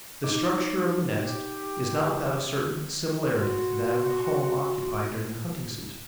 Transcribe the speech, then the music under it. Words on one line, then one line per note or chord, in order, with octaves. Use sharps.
The structure of the nest is not without a certain similarity to that of the home occupied during the hunting-season.
D#4 D6
G4
F#4 C6